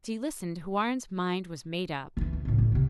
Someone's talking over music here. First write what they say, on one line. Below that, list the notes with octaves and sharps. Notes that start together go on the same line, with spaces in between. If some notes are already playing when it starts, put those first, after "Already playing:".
As he listened Houarn's mind was made up.
D#3 E3
E2
C#2 A2
G1
C3 G#3